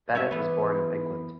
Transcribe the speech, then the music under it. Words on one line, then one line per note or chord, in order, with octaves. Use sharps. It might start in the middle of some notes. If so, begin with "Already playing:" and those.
Bennett was born in England.
C#4 E5
E3 B3